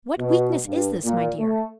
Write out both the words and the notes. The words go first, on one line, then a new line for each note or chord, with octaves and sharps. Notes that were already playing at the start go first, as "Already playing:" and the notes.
What weakness is this, my dear!
B2
G2
A#2
A3